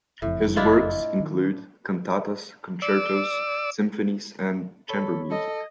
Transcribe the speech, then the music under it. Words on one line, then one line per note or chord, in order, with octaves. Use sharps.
His works include cantatas, concertos, symphonies, and chamber music.
F#1 F2 A2 E5
D4 E4 F4 D#5
D#3
D5 E6
A4 C#5 B5
A4 D#5